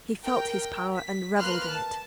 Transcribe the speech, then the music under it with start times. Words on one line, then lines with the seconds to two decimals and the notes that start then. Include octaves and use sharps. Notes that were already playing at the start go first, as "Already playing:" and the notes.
He felt his power and revelled in it.
0.24 A#4 G5
0.94 B6
1.38 A#3 B4 C6 F6 F#6
1.70 A5